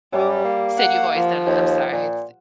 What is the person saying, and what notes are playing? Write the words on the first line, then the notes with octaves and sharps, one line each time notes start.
Said you've always done I'm sorry, it's
F#2 G3
A#3
F#5
F3
D#2
A#2